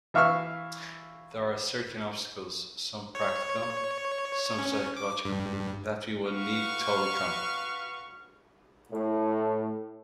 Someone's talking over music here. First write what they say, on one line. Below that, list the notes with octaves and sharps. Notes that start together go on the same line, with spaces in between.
There are certain obstacles, some practical, some psychological, that we would need to overcome.
E3 E5 F5 C#6 E6 F6
C#5
C#4
D6
G2
F#4 B4 F5 C#6
A2